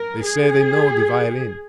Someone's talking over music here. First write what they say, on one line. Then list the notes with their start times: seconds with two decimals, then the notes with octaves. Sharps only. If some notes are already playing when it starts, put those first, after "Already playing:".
They say they know the violin.
Already playing: A#4
0.24 G#4